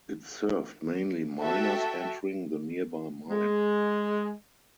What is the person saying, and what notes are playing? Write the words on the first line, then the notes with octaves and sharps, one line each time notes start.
It served mainly miners entering the nearby mine.
F#4 A4 E5 G5
G#3